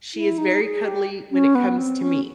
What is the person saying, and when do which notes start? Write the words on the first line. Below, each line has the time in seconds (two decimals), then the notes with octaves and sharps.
She is very cuddly when it comes to me,
0.15 E4
0.38 D#4
0.61 G#4
0.85 G4
1.31 C#4
1.55 B3
1.78 C4
2.01 C#4